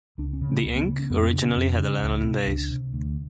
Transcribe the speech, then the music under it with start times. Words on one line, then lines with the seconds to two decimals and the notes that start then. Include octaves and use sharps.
The ink originally had a lanolin base.
0.18 C#2 D4
0.33 C#4
0.41 C#3
0.49 C4
0.65 C#2 C4
0.76 B3
0.87 C#3 A#3
0.99 C#4
1.10 F2 B3
1.22 C4
1.33 C#3 D4
1.44 C#4
1.57 F2
1.78 C#3
2.02 C#2
2.24 C3
2.47 C#2 D4
2.71 C3
2.93 D2